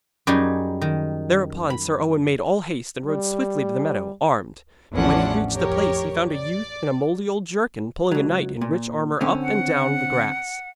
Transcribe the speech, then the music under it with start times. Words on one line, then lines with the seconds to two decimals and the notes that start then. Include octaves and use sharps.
Thereupon Sir Owen made all haste, and rode swiftly to the meadow, armed; but when he reached the place, he found a youth in a mouldy old jerkin pulling a knight in rich armour up and down the grass.
0.27 F#2 G3 D#4 G#4
0.81 D#3
1.70 B5
3.06 G3
4.93 A1 E2 F3 C#4 D4 F#5
5.53 F2 G4 A#4 C#5
6.32 D5
8.12 C#2 F#3
8.61 A#2
9.21 D3 C4 C#4
9.42 F#5